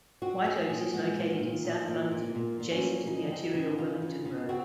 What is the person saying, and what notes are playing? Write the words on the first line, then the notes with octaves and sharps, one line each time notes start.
White Oaks is located in South London, adjacent the arterial Wellington Road.
C4 F#4
C4 G#4
A#2 G#4
G#3 F#4
A#2
A#2
A#2 D#4
A#2
A#2
A#2
A#2
C#4
A#3
C#3 D#4
C4
C#3
C#3 F4
C#3
C#3
C4 F#4